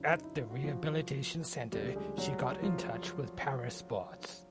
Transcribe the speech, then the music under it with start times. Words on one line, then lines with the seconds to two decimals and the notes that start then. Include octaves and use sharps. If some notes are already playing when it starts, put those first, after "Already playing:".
At the rehabilitation center she got in touch with para sports.
Already playing: F#2 D3 F#3 E4
0.08 D#4
0.23 E4
0.37 F4
0.50 F#4
0.64 F3 F4
1.72 D2 C#3 F3 G3 A3 G4
1.96 G#3 G#4
2.18 F#3 F#4
2.62 F3 F4